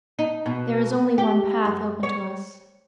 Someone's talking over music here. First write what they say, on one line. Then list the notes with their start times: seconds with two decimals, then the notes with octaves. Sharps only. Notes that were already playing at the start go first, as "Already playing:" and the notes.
There is only one path open to us.
0.19 D#4
0.46 B2
1.18 G4
1.65 F#2
2.03 C#5